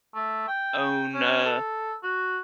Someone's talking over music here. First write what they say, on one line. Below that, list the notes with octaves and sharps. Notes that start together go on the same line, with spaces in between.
own, uh,
A3
G5
C#4
A4
F#4